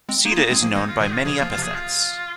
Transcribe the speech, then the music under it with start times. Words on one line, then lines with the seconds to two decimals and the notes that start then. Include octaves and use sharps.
Sita is known by many epithets.
0.09 G#3 C4
0.25 A#3 D#4 G#4
0.32 F4
0.38 A#3 D#4
0.51 G#3 C4
0.63 F3 A#3
0.75 D#3 G#3 D#4
0.88 F4
1.00 A#2 D#3 G#4
1.13 F4
1.25 C3 F3 G#4
1.38 F4
1.42 F3 A#3
1.50 F4
1.58 C3 F3 G#4
1.75 F4